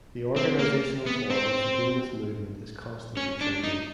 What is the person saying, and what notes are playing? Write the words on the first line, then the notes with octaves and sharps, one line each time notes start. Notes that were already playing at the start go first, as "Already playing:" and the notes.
The organizational form of the Humanist Movement is constantly changing.
C4
A#3
B3
C4
C#4
D4
D#4